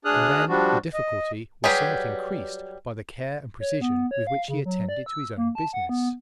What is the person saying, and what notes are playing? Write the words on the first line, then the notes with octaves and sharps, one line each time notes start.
And then the difficulty was somewhat increased by the care and precision with which he attended to his own business.
D2 D4 G#4 D#6 F6 F#6
F3 G3 D4 F#4
D#5
F#3 G3 G4 G#4 B4
C#5
B3
C#5
F5
C#3
F#3
D5
E6
A#3
A5
F#5
B3